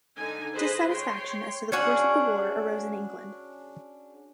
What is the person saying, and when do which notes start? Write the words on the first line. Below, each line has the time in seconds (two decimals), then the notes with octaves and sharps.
Dissatisfaction as to the course of the war arose in England.
0.16 D3 D#4 G#5
0.54 G#4 B4 C5 D#5
0.90 C#5 G5 C6
1.72 C#4 D4 F#4 G#4